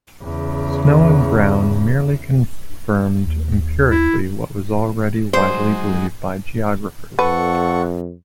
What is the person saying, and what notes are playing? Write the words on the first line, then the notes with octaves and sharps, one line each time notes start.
Snow and Brown merely confirmed empirically what was already widely believed by geographers.
E2 C#3
D#2
E4
F#3 G#3 D#4 C5
F2 A4 B4 F#5 C#6